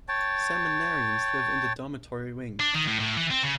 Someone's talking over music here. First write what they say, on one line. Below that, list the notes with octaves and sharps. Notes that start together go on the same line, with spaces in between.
Seminarians live in the dormitory wing.
C#5 G5 A5
D4
D#3
A2
A2
E3
C4
C#3